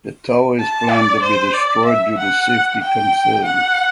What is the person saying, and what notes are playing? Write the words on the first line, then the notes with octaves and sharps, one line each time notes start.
The tower is planned to be destroyed due to safety concerns.
A5
D5
C5
D5
E5
F#5
G5
F#5